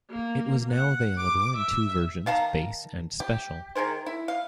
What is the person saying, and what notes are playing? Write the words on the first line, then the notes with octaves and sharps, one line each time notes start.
It was now available in two versions, base and Special.
A#3
F#5
D6
E5
D#3 F5 A5 A#5
G4
D#3 G#4 A#4 C5
E4
F5